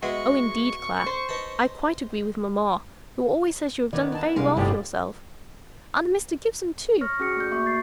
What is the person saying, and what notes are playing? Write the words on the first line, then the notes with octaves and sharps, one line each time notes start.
Oh, indeed, Clare, I quite agree with mamma, who always says you have done very well for yourself; and Mr. Gibson too!
G#3 B3 F#4 E5 C#6
C5
D#4 B4 A5
D#3 B3 C#5 D5 A#5
D4 D#4 A5
C2 G#3 A#4 F5
G1 A2 C3 G4 G#4 D5
C#5 C#6 F6 A#6
C#4 F#4 G#4 D#6 C#7
A3 G6
A#3 F#4 E5 C#6 D6
A6 C7